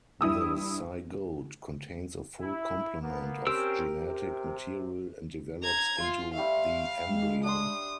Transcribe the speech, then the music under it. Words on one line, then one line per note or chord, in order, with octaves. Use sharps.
The zygote contains a full complement of genetic material and develops into the embryo.
G2 E4 D#6 E6
E4
A#3 B3
C4 C#4 G4 A#4 E6
C3
A#5 G#6
F4 C6
G3 A3 E5 F5
G#3
D4 G5 C6 D#6